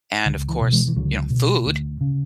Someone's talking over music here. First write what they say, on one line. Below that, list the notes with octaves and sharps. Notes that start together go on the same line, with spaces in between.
and, of course, you know, food
C#2 D3
E3
B2
E3 G#3
E3
C#2 D3 F#3
B2
D2
C#3